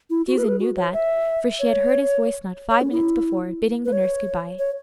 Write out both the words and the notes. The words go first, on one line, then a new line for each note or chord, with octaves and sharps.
Susan knew that, for she had heard his voice not five minutes before, bidding the nurse good-bye.
E4
F#4
B4
G#4
B4
F#4
C#5
E5
C#5
C#5
C#4
E4
B4
C#5
C#5